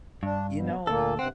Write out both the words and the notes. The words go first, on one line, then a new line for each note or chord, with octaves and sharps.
You know,
G2 D4
B2
D2 A#2 A#3 A4
G2 C3 C4 F#5